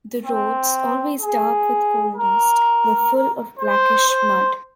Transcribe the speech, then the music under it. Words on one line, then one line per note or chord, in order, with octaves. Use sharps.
The roads, always dark with coal-dust, were full of blackish mud.
C4
G#4
A#4
C5
C5